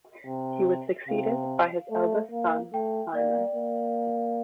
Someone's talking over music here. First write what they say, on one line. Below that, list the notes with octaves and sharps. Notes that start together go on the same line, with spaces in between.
He was succeeded by his eldest son, Simon.
C3
C3 F5
A3
A#3
A3 G5
A#3 D5
A#3